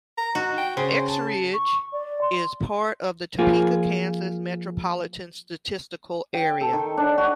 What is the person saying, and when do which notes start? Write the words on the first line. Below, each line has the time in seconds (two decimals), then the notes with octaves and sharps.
Eskridge is part of the Topeka, Kansas Metropolitan Statistical Area.
0.18 A#5
0.35 D#4 F#4
0.58 G5
0.77 C#3 C5
1.09 A5
1.54 C#6
1.93 D5
2.21 C6
3.38 F3 A#3 F4 G#4
6.34 G5
6.61 A4
6.73 D#3
6.97 D4
7.18 F#4